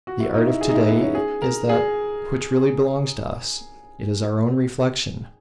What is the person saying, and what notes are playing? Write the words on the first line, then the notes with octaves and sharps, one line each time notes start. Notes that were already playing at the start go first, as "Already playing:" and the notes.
The art of to-day is that which really belongs to us: it is our own reflection.
F#4
E4
D#4
E4
G#4
D#4
E4
B3
C#4
G#4
A#4
G#4